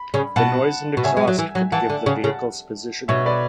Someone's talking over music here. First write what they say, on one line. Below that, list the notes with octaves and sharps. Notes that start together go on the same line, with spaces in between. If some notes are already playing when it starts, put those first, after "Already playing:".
The noise and exhaust could give the vehicle's position away.
Already playing: B5
C#3
B2 F#5 A5
B2
C#3 E5 G#5
G#3
F#3
E3
F#3
E3 F#5 A5
D3
C#3
C#3
B2 C#5 E5
B4 D5